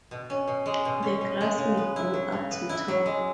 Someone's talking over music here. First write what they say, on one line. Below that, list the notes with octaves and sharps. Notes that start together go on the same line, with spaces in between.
The grass may grow up to tall.
B2
C#4
B2
G#3
B2
C#4
B2
G#3
C#3
B3
E4
F#3
C#3
B3
E4
F#3
G#3